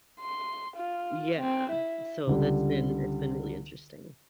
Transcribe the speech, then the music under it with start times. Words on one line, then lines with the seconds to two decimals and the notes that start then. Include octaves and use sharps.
Yeah. So that's been it's been really interesting.
0.21 C6
0.76 F4
1.37 C4
1.71 E4
2.27 C#2 D3 G3